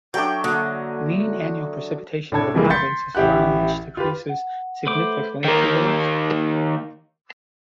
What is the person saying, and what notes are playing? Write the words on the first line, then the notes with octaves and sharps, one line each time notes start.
Mean annual precipitation of the province is around which decreases significantly to the west.
F#3 A3 D4 G5
D3 A#3 F#4 A4 D#5
A2 D4 A4 G#6
C3 E3 F3 G3 G#3 A#3
C6 G6 A6 B6 C#7
A1 E4 G4 F#5 F#6
F4 G4 B4
F#5
A3 B4 C5 D6
D#3 A#3